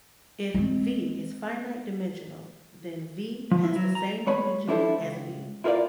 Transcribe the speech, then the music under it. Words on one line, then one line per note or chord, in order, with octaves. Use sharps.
If "V" is finite-dimensional, then "V" has the same dimension as "V".
G#3 C4
F3
E4
F#3
A#5
G#3 C#5 B5
F3 D4 E4 A4 C5
C#2
E4 F4 A#4 B4 D5 F5